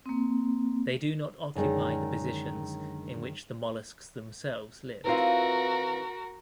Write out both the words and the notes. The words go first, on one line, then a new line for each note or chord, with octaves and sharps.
They do not occupy the positions in which the molluscs themselves lived.
A#3 C4
F#2 D3 D#3 G#3 C#4
E3 C4 F4 F#4 A#4